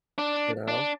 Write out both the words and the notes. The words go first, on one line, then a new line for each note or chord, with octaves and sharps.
You know.
D4
D4